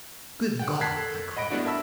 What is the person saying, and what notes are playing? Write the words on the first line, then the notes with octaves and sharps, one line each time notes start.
"Good God!" I cried.
F#5 G5
A#4 A5 F#6 G#6 B6 C7
A4
D#5 F#5 B5 A#6 D7
G3 A3 B3 D4 E4 F#4
A#4 E5 A5 B5 E6